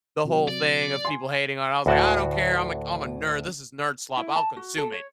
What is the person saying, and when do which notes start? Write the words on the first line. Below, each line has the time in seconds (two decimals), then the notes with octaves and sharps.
the whole thing of people hating on it, I was like, "I don't care! I'm a c I'm a nerd. This is nerd slop. I'll consume it."
0.25 C3 F#3
0.48 D5
1.05 G#5 C6
1.86 D2 A2 F#4 F#5 A5
4.17 E4
4.36 A5
4.57 F#4
4.78 A4
4.92 C#5